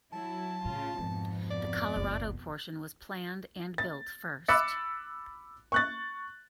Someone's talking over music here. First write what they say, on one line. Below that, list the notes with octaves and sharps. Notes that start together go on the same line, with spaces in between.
The Colorado portion was planned and built first.
F#3 E4 A5
A2 C#3 F4
F2 G#2 B2
D5
F#1 C#2
A6
B5 D6 E6 F#6 A6 C#7
C#6 F#6 A6